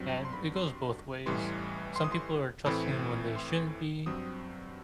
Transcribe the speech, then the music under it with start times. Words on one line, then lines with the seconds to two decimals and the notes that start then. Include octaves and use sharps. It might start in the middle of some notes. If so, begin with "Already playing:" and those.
And b it goes both ways. Some people are trusting when they shouldn't be,
Already playing: G2 F#3 C4
0.09 G5
0.25 C6
0.33 B5
0.56 C6
1.26 A1 A2 E3 G3 C6
1.96 C6
2.04 D#6
2.12 C6
2.66 A2 E3 A3 C4 B5
3.36 C6
4.06 G2 F#3 C4 D#6